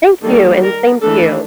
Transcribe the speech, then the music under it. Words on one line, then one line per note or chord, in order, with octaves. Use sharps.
Thank you, and same to you.
D#3 G3 A#3 A4
A#4
E3 A3 D4 A4